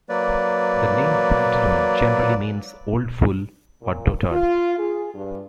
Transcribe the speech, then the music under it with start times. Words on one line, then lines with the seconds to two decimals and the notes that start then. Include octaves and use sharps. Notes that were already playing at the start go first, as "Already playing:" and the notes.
The name Pantaloon generally means "old fool" or "dotard".
0.09 F#3 A#3 B4 D5
3.82 A#2
4.31 F4
4.78 G#4
5.14 G2